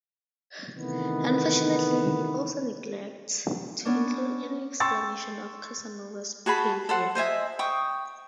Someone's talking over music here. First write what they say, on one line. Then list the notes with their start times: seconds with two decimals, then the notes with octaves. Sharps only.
Unfortunately, he also neglects to include any explanation of Casanova's behavior.
0.76 C3 D#3 E3 A3 B3
3.85 B3 C#4 D4
4.80 G5 C6 C#6 E6 A6
6.46 F#4 G#4 A5 B5
6.89 A4 C5 F#5
7.15 C5 D#5 E5 G#5
7.59 G5 C#6 D#6